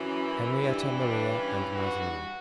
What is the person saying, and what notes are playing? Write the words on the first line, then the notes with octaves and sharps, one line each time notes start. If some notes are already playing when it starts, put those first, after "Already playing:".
Henrietta Maria and Mazarin.
Already playing: F#2 E3
E4
G2 E3 E4
D4
C#4
F#4